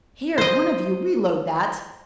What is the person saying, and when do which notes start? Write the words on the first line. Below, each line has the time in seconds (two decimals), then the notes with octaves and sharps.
Here, one of you, reload that.
0.38 C5 D#5